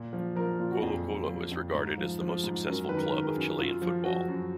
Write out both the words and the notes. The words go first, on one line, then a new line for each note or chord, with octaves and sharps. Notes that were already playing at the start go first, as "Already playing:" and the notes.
Colo-Colo is regarded as the most successful club of Chilean football.
Already playing: A#2
F3
F3 A#4
A#2 F4
F#4
F2 G#4
F3
F3
F2
G#2
F3
F3
G#2
F#2 A#4
D#3 B4
A#4
D#3
A#4
G#4
F#2
F#2 F4
F3
F3 F#4
F#2